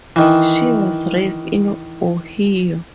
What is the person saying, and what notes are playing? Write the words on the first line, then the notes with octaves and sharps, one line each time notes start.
She was raised in Ohio.
D#3 E3